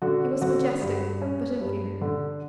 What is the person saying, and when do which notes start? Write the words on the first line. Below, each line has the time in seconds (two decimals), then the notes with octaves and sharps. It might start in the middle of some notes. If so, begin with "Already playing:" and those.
He was majestic, but inferior.
0.02 D3 F#4
0.41 D3 F#4
0.82 G2
1.22 C#4
1.61 G2
2.01 D3